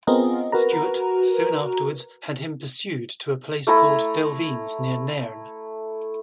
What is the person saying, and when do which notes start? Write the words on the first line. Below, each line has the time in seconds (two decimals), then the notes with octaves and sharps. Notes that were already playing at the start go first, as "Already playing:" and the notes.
Stewart soon afterwards had him pursued to a place called Delvines, near Nairn.
0.07 B3 C4 F4 G#4 A#4 D#5
0.52 F#4 A#4 B4 A#5
3.67 A3 E4 A#5